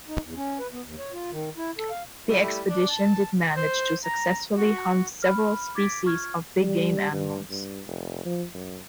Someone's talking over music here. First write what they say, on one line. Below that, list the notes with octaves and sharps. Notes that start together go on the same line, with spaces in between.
The expedition did manage to successfully hunt several species of big game animals.
D#4
E2
C#4
B4
B3
D#2
C#5
F4
D#3
E4
A4
F5
G3 A3 E4
D4 D6
A5
C5
A#5
F#4
B5 F6
D6 G#6 A6 B6 D7
F4 C#6 F6 G#6
G3
G2
G2
F1
F3
F#2